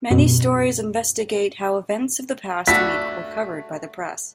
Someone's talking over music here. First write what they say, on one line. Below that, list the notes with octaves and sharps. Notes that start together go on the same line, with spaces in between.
Many stories investigate how events of the past week were covered by the press.
F#2 B2
A3 D4 F#4 B6